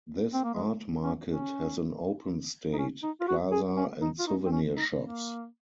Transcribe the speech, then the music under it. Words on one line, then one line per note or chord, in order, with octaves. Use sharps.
This art market has an open state, plaza, and souvenir shops.
C4
A#3
G#3
C#4
C#4
D#4
C#4
D#4
F4
F#4
G#4
C#4
D#4
F4
D#4
C4
C#4
D#4
A#3